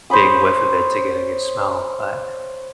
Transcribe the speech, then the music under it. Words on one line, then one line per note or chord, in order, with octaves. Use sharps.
big whiff of it to get a good smell, but,
C5 C#5 B5 D#6